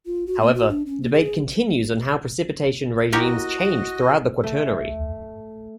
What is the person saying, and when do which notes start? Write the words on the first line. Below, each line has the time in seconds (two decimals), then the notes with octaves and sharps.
However, debate continues on how precipitation regimes changed throughout the Quaternary.
0.06 F4
0.27 F#4
0.40 A#3
0.54 F#4
0.69 D4
0.86 C#4
1.01 A#3
1.13 G#4
3.13 A#3 E4 F#4 G4 C#5 D#5
4.43 A3